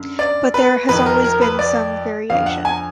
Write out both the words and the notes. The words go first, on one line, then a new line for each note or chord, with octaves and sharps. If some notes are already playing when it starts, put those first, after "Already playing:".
But there has always been some variation.
Already playing: F#2 D3
D5
B4
F2 D#3 B4
A#4
A#4
B4
D5
F2 D3 F5
F#5
G#5